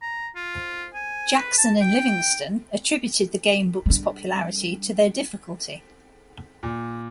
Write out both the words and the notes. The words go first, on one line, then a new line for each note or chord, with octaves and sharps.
Jackson and Livingstone attributed the gamebooks' popularity to their difficulty.
A#5
F4
G#5
B4
A5
G5
G3 D4
A#2